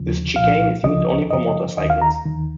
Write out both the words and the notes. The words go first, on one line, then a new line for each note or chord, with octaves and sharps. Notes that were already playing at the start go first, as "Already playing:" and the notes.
This chicane is used only for motorcycles.
Already playing: D#2 C#3 F3
C2 A#2 F3 F5
C#2 C#3 F3 D#5
F#2 C#3 F3 D#5
D#2 D#3 D#5
F5
A#5
D#2 D#3